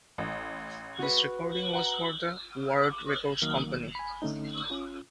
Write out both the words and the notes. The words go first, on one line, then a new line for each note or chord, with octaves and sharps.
This recording was for the Word Records company.
A1
F#4 B4
F#5 A#5
D#3 F#3 A#3
G#5 B5
D3 A3 C#4 D#4
C#4 F4